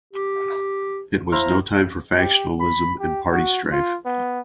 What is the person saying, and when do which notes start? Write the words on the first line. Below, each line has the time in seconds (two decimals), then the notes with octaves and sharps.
It was no time for factionalism and party strife.
0.13 G4
1.32 E4 C5 F5 A#5
2.18 G4
2.60 B5
3.00 G4
3.31 F#4
3.72 F4
4.05 B3